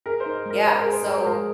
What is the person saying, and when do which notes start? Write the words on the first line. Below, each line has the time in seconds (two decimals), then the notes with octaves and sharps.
Yeah. So
0.06 G#4 A#4
0.20 C5
0.26 D#4
0.46 G#3 A#4
0.66 G#4 C5
0.79 A#4
0.86 G#4
0.92 C5
1.06 G#4
1.17 C5
1.26 G#3 A#4